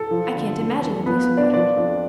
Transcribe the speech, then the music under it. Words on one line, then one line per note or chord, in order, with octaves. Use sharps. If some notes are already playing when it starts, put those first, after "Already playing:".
I can't imagine the place without her.
Already playing: A4
F3
D3
F2
E3
F3 B3 B4
F3
D4 D5
F3 D4 D5
F2